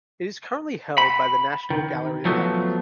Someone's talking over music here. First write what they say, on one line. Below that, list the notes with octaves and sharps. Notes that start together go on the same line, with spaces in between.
It is currently held by the National Gallery of Art.
B5
D#3
F3 F#3 A3 B3